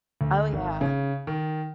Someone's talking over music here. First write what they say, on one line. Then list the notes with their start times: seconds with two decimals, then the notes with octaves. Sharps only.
Oh, yeah.
0.21 D2
0.53 G#1
0.81 C#3
1.27 D#3